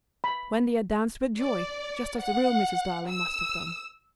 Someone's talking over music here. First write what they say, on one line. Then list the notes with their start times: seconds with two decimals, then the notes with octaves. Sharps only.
Wendy had danced with joy, just as the real Mrs. Darling must have done.
0.24 B5
1.41 D5
2.21 F#5
3.09 E6